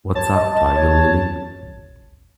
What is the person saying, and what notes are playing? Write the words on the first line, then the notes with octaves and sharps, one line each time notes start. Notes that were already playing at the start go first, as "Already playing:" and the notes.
What's Up, Tiger Lily?
C#5 A5
D#5
D#5
C#5